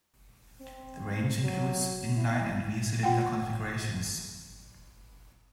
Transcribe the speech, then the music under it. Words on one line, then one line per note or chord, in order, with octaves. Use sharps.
The range includes in-line and Vee cylinder configurations.
C4
F#3
E4
F4 F#5 G5